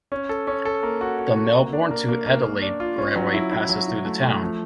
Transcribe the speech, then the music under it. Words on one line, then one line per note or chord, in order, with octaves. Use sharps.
The Melbourne to Adelaide railway passes through the town.
C#4
A4
C#4
A4
A#3
F#4
F#4
F#4
A#3
D4
A#3
A#3
A#3
A#3
D4
F4
C#4
F#3
E4
E4
F#3
E4
A3
A3
F3